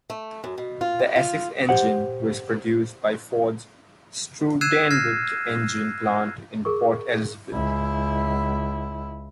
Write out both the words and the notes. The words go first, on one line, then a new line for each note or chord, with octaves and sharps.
The Essex engine was produced at Ford's Struandale engine plant in Port Elizabeth.
A3
F#2
B2
F4
G3
F4
G4 C5 F#5
E6 F#6 G#6 C7 D#7 E7
F6 G#6 A#6 C7
G#4 A#4 C#6
C#2 E4